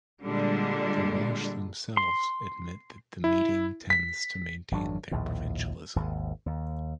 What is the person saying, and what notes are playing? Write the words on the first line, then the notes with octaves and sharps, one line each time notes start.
The Welsh themselves admit that the meeting tends to maintain their provincialism.
A#2 D3 G3 G#3 D4
C6
E4
B6
G#1 F#3 C4 D4
A#1 D#2 A2
G#1 D#2 G#2
D#2